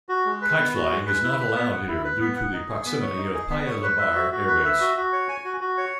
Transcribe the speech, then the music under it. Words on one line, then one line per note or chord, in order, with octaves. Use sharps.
Kite flying is not allowed here due to the proximity of Paya Lebar Airbase.
F#4
G#3
B4
B3
F#4
G#3
B4
E4
B4
B3
F#5
E4
B4
B3
F#5
D#4
G#4
B3
C#5
D#4
G#4
B3
C#5
B4
E5
F#4
F#4
B4
E5
F#4
F#4
C#5
G#5
F#4
F#4
C#5